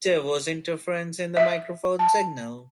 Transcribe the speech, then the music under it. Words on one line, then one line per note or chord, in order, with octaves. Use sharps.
There was interference in the microphone signal.
E5
A5